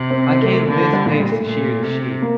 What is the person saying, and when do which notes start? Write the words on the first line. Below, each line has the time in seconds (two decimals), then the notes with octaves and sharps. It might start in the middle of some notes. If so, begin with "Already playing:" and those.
I came to this place to shear the sheep.
Already playing: C3
0.10 C4
0.29 C4
0.42 A3
0.55 A3
0.67 D3 A#3
0.81 A3
0.93 G3
1.06 A#2 F3
1.20 G3
1.32 A3
1.44 A#2
1.83 C3
2.22 A#3